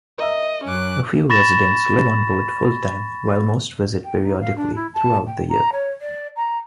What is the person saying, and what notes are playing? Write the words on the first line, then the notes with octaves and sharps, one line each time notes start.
A few residents live on board full-time while most visit periodically throughout the year.
A#4 D#5 E5
F#2 C#4 D6 F#6
B5 C#6 A6 A#6 E7
G5
D#4
F5
D4
E4
A5
G5
A#5
C#5
D5
A#5